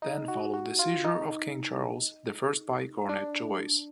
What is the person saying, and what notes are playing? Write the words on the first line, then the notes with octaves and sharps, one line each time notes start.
Then followed the seizure of King Charles the First by Cornet Joyce.
D#4
F#4
F#4
F4
D#4
D4